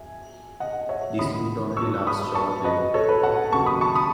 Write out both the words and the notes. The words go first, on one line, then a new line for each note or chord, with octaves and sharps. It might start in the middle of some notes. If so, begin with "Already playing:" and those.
This would only last shortly.
Already playing: E5 G#5
D#5 F#5
C#5 E5
D#2 C#3 E3 B5 D#6
C#6 E6
B5 D#6
A5 C#6
B4 D#5
A4 C#5
B4
F#5 A5
D#2 C#3 F#3 A5 C#6
B5 D#6
A5 C#6
B5 D#6